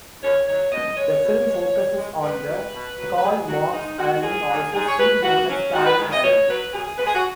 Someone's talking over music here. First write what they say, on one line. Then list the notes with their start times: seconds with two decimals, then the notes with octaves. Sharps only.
The film focuses on the Karl-Marx-Allee, also still known as Stalin-Allee.
0.22 D#2 C#5
0.47 D#3 F#3 C#5
0.72 B2 D#5
0.97 G#3 C#5
1.22 B2
1.47 G#3
1.72 B2
1.97 G#3
2.22 G#2 B4
2.48 F#3
2.73 B2
2.98 F#3
3.17 B4
3.22 B2 G#4
3.48 F#3 F#4
3.72 G#2 D#4
3.98 G#3 F#4
4.23 F#2 G#4
4.48 D#3 F#3
4.73 G#2 G#4
4.87 C#5
4.98 F#3 B4
5.23 F#2 F#4
5.48 F#3 C#4
5.73 G#2 F#4
5.86 B4
5.98 D#3 G#3
6.11 D#5
6.23 B2 C#5
6.48 F#3 B4
6.73 F#2 G#4
6.98 C#3 G#3 B4
7.06 G#4
7.15 F#4